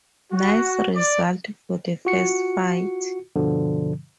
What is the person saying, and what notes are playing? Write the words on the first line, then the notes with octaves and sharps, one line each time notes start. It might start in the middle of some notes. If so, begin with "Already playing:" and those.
Nice result for the first fight.
F#4
D5
F4 F#4 C#7
G2 B2 D3 F3